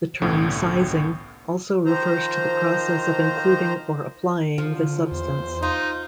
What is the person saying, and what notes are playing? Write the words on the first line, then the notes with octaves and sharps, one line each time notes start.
The term "sizing" also refers to the process of including or applying the substance.
G1 C2 A2 D3 C#4
D#3 F3 C5 A#5
D3 F3
E2 C5
D#4 F4